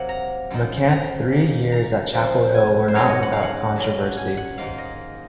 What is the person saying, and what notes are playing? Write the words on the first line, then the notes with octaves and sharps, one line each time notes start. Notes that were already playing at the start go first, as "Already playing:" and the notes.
McCants' three years at Chapel Hill were not without controversy.
Already playing: C3 F#3 A#3 F#5
A#5
F#2 F3 C4 D#4
A#5
D#3 A#3 D#4
A#5
C3 F3 C4 D#4
G#5
C5
G#2 F#3 C#4 C#5
D#5
F#5
F5
F#5
A#2 F#3 C#4
G#5
F#5
G#2 D#3 A#3 D#4 F5
D#5